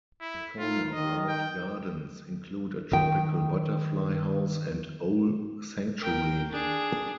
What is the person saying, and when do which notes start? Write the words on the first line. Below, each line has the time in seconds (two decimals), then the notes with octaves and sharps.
The former walled gardens include a tropical butterfly house and owl sanctuary.
0.21 E4
0.59 D#4 F4
0.94 D#3 D#5
1.29 G5
2.92 D#3 G5
5.99 A#4 G5
6.51 D4 G#4